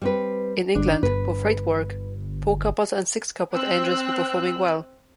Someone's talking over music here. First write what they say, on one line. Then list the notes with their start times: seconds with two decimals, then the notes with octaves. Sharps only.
In England, for freight work, four-coupled and six-coupled engines were performing well.
0.02 G3 C4 B4
0.75 G1 D4
1.03 G1 B4
3.53 C4 E6 F#6